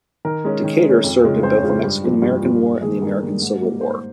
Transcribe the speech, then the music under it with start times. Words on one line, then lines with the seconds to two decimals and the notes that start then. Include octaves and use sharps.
"Decatur" served in both the Mexican-American War and the American Civil War.
0.25 D#3 A#4
0.45 G#3 C#4
0.64 D#3
0.83 G#3
0.89 C#4
1.04 F2
1.24 C#3 G#3 C#4 F4
1.43 F2 C5
1.57 C#5
1.63 C#3 G#3 C#4 F4
1.69 C5
1.83 G2
2.03 F3 A#3 F4
2.22 G2
2.42 F3 A#3 F4
2.63 G2
2.82 D#3 A#3 G#4
3.02 G2 A#4
3.22 D#3 A#3
3.42 G#2
3.62 G3 A#3
3.81 G#2 C5